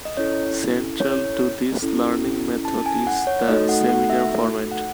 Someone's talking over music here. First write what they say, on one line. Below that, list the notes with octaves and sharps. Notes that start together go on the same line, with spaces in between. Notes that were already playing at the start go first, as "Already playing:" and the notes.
Central to this learning method is the seminar format.
D#5
C#4 E4 A4 C#5
C#5
C#4 E4 A4
A5
G#5
F#5
C#5
A3 D#4 F#4 A4 D#5
F#5
F#5
E5
F#5